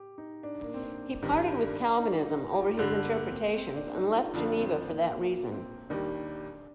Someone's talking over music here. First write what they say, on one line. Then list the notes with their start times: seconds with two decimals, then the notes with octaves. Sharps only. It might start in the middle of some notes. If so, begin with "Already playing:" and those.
He parted with Calvinism over his interpretations and left Geneva for that reason.
Already playing: G4
0.18 D#4
0.43 D4
0.63 A#3
0.74 C4
0.83 D4
1.22 G2 D#3 G3 C4
1.61 D4
1.99 D#4
2.26 D#4
2.53 G4
2.61 F4
2.69 G4
2.77 G2 D3 G3 D4 A4
3.04 A#3
3.29 C4
3.56 C4
3.75 D4
3.95 D#4
4.15 F4
4.33 F2 D3 F3 A3 D4
4.59 C4
4.87 A#3
5.11 A#3
5.51 C4
5.89 D#2 D#3 G3 D4